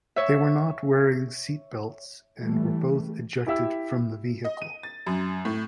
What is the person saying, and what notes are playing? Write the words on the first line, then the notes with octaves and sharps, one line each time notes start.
They were not wearing seat belts and were both ejected from the vehicle.
C#5 E5
E3 G3 A3
E4 G4 E5 E6
D#5
D#7
A6
F#2
A2